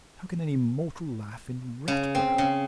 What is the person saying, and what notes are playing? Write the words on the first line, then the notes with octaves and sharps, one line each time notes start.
How can any mortal laugh in Ratborough!
C#3
C4
C#3